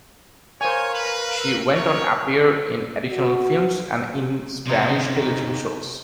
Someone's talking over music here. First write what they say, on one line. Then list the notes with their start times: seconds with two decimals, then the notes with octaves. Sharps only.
She went on appear in additional films and in Spanish television shows.
0.61 A#4 C5 C#5 F5 G#5
0.94 B4
1.38 A#4 E6
1.75 A#4 C#5 E5
3.11 F#4
4.67 C3 D#4